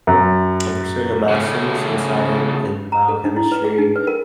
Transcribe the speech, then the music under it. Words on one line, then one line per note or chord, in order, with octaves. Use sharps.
I'm pursuing a master's in scien in biochemistry,
F#2
C#3 A3
A#5
A4
D#4
E4
B4
G#4
D#4
B4
A#4